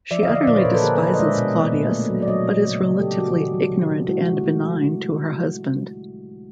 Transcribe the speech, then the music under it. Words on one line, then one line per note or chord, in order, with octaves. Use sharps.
She utterly despises Claudius but is relatively ignorant and benign to her husband.
F3 D5 E5
D#5 F5
D3
D5 E5
A#2 C5 D5
B4 C#5
A#2 A#4 C5
A4 B4
D3 G#4 A#4
A4 B4
D3
A#4 C5
D#5
G#3 D5 E5
B2
A#3
A#2
A3
F#3
D5
F#3 C#5 D#5
A#2
C#3
C#3
F#3 G4 A4
F#3 F#4 G#4
D#3
F#3
C#3
C#3
G#3 E4 F#4
G#3
A3